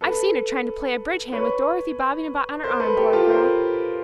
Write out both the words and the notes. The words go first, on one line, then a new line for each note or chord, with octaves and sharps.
I've seen her trying to play a bridge hand with Dorothy bobbing about on her arm--poor girl!
A4 B4
B4 C#5
A#4 C5
A4 B4
G4 A4
F4 G4
A#4 C5